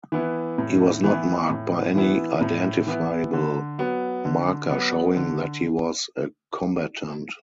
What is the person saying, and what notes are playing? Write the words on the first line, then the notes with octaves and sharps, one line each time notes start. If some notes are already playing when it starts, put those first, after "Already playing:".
He was not marked by any identifiable marker showing that he was a combatant.
E3 B3 E4
A2
E3 B3 E4
A2
E3 B3 E4
A2
E3 B3 E4
D3
F#3 B3 F#4
D3
F#3 B3 F#4
D3